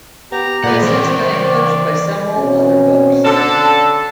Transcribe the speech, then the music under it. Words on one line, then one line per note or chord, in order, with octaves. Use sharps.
It has since been eclipsed by several other books.
B3 G4 A#5
A#2 B4 D5 F#5
E3 A#4 C5
B2 C4 C#4
D3 A4